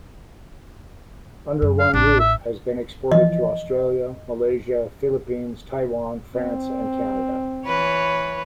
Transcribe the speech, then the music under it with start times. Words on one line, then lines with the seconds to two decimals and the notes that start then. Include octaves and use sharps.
"Under One Roof" has been exported to Australia, Malaysia, Philippines, Taiwan, France and Canada.
1.62 F#2
1.79 F5
1.94 A1 D4
2.19 E5
3.12 E3 F3 D#5
6.35 C4
7.66 E3 B4 C#5